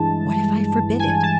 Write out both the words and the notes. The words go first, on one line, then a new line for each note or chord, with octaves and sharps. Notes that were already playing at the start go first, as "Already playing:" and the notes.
"What if I forbid it?"
Already playing: G2 E3 G#3 A5
G#5
A5